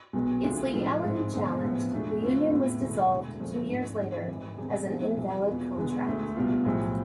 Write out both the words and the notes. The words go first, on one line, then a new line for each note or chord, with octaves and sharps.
Its legality challenged, the union was dissolved two years later as an invalid contract.
B1 B2 G#3 B3
D2 C3 G#3 D4 F4
A2 F3 G#3 D4 F4
G#2 G#3 C4
E1 E2 D3
A2 F3 G#3 B3
E2 B2 A3 D4
F2 D3 A3 C4 F4
A2 G#3 B3 E4
E1 D2 D3 A3 E4
E1 D2 D3
E1 D2 C3 F3 A3
G#1 G#2 G#3 D4
G#2 F3 G#3 C4
G#1 G#2 E3
E1 E2 C3
E2 C3 F3 G#3
C2 C3 E3
E2 B2 B3 F4
E1 E2 D3 G#3 B3
D2 D3 A3
C2 B2 B3 F4
B1 A2 F3 G#3